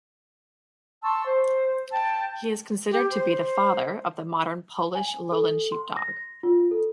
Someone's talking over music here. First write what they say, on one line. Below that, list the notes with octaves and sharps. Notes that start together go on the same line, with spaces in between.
He is considered to be the 'father' of the modern Polish Lowland Sheepdog.
A5 C6 C#6 E6
C5
G5 A5
G4
C5
G#5
A4
C6
A#6
F4
A4